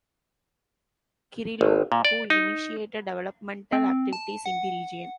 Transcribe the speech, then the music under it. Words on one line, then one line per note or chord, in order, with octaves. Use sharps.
Kirilov, who initiated developmental activities in the region.
G#1
A#2
D5
D#4
C4
A5
F#5